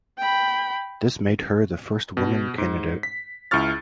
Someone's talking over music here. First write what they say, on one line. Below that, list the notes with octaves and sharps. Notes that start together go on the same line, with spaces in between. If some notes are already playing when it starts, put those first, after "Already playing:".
This made her the first woman candidate.
G5 B5
B2
G#2
B6
C#2 E4 C#6 F6 A6